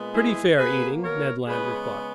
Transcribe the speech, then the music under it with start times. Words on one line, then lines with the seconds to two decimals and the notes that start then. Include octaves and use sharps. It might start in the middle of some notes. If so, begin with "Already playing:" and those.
"Pretty fair eating," Ned Land replied.
Already playing: A#2 G#3 B3
0.13 E4 G#4
0.58 B2 A#3 G#4 B4
1.02 A#4 C#5
1.47 C#3 G#3 B3 G#4 B4